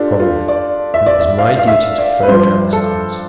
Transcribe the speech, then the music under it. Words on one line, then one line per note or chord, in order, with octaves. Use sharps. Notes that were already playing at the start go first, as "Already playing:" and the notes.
Probably, and it was my duty to ferret out this cause.
Already playing: D4 F4 G4 A4
F4
D5
E5
D5
E5
F5
F5
E5
D5
B4
G2 F3 C5
A4